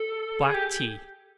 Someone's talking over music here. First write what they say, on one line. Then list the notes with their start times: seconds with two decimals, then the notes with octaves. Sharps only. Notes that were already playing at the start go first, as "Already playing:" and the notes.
Black Tea.
Already playing: A4
0.46 G#4
0.54 G4